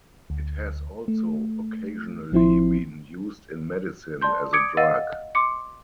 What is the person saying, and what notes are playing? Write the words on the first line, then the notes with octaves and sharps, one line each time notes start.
It has also occasionally been used in medicine as a drug.
D2
A3
A1 F3 C4 E4 C6
D5 A5 C6 G6
D6 D#6 G#6 C#7 D7
D#5 F5 F#5 E6 A6 D#7
C6 D6 C#7